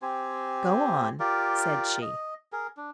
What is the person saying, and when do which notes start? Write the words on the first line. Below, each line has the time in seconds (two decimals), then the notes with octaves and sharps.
"Go on," said she.
0.02 C4 G4 C5 G#5
1.20 F4 G4 A#4 D5
2.02 D#5
2.52 G#4 A#4
2.77 D4